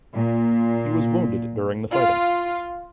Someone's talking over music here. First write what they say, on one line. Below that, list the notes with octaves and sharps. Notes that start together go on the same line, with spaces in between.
He was wounded during the fighting.
A#2
F4